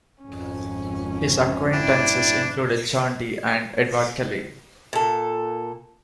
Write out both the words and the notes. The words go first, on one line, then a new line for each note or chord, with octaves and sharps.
His acquaintances included John Dee and Edward Kelley.
G#1 F2 C#4
D4 E4 D5 G5
A#2 A4